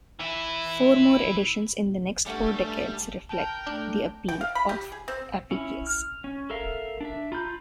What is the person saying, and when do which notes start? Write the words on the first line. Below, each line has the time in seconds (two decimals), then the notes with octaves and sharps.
Four more editions in the next four decades reflect the appeal of "Apicius".
0.20 E3 E4
2.26 G2 G3 A3 C#4 F#5 A5
3.29 A#4 G5 A5
3.67 A3 D4
4.28 G5
4.41 F5
4.55 B5
4.69 G4
4.92 G#4
5.08 C4
5.51 C#4 E4
5.87 F6
6.24 C#4
6.50 A4 A#4 E5 F5
7.01 D4 E5
7.32 F4 A#5 B5 G6